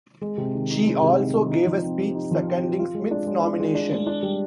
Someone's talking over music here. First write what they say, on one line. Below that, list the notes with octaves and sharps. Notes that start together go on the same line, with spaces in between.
She also gave a speech seconding Smith's nomination.
G#3
C3
D#3
D#4
G#3
C3
D#3
D#4
D#4
F3
C4
G4
D#4
F3
C4
G4
F4
G#3
D4
G#3
F4
G#3
D4
G#3
D4
G3